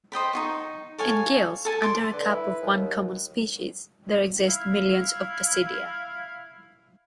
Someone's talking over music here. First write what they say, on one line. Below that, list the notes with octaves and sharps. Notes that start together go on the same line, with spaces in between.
In gills under a cap of one common species, there exist millions of basidia.
C5 D#5 G5 B5
D#4 F4 C#6
A4 C#5 F5 G#5
A4 G#5 A5
C6 D6
D3 B4
E4
D#2
E4 F5